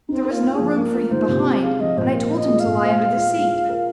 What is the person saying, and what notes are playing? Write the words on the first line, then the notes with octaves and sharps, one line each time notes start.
There was no room for him behind, and I told him to lie under the seat.
C4 D#4
A#4
F4
A#3
F3 G#4
A#3 A#4
F4
D#3 C5
C3
C4
G#4 F5
F3 D#5
A#2 C5
F4 A#4
A#2
D#5
G#3
F5
A#2
C5
G#3
F4
G#3
F4
A#4